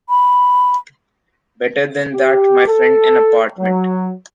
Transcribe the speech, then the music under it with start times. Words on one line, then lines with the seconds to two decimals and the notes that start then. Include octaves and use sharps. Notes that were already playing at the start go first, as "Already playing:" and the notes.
Better than that, my friend... an apartment.
0.09 B5
2.13 G4
2.67 A4
3.59 F#3